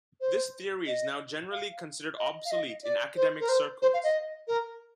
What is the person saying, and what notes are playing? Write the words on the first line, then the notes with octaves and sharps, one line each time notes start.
This theory is now generally considered obsolete in academic circles.
C5
D#5
F5
D#5
F5
D#5
D5
C5
A#4
C5
C5
F5
D#5
A#4